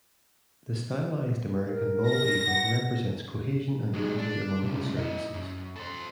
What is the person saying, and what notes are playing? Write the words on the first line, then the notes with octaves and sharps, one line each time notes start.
The stylized American bald eagle represents cohesion and unity among the services.
A#4
A#6
F#5
F#3 G#3
D4
C2 C#3
E4 D#5
F#2
A4 C5